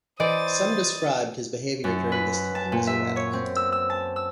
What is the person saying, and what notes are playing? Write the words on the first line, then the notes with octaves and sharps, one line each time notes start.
Some described his behaviour during this time as erratic.
E3 C5 D5 D#5 D#6 A6
F#2
B4
A5
A#2
E5
C#5
C4
E6
E6
A5
E6